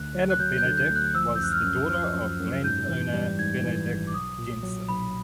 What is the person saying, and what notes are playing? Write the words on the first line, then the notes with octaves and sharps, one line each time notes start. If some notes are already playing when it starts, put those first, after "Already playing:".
Anna Benedicte was the daughter of landowner Benedict Jenssen.
Already playing: D2 D3 F#6
F#3
F#6
F#3 G6
G6
D3
G6
D2
F#6
F3 E6
G6
F#2 F#6
F6
F#2
F3 F6
F#2
F#2
G#2 G6
E3
G3
G#2 G#6
E3
G#1
D6
B1 D#6
A#2
F#3
B1 B5